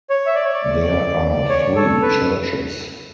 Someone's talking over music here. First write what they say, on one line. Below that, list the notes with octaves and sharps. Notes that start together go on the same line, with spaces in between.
There are three churches.
C#5
E5
D5
C#5
D5
C#5
A4
B4